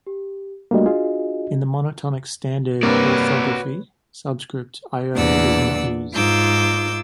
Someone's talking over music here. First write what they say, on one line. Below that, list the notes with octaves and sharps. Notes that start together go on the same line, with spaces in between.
In the monotonic standard orthography, subscript iota is not used.
G4
G3 A3 A#3 D4 F#4 D#5
F4 G#4
G2 C3 A#3 F#4 B4 C#5 D5
E2 A#2 D4 D5 F#5 E6
G#2 D#4 F4 D6 E6 G6